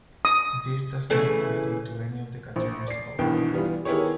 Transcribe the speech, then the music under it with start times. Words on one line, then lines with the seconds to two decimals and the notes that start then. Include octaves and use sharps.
This does not fit into any of the categories above.
0.25 D#6
1.10 C#3 E3 A3
2.56 A#1
2.88 D5 C7
3.19 C2 G2 B2 D#3 E3 G5
3.52 E3 G3 B3 F4
3.85 D#3 B3 E4 G4 G#4 C#5